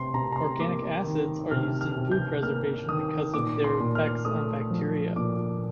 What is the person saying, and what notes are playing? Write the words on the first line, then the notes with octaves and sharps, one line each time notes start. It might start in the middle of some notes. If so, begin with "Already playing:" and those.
Organic acids are used in food preservation because of their effects on bacteria.
Already playing: C3 C6
C3 A#5
A#5
C6
A#3 D6
D#3
C3 F6
F6
C3
G6
A#3 F6
D#3 D#6
A#2 D6
C6
A#2
F6
A3 D#6
F3
A#2 D6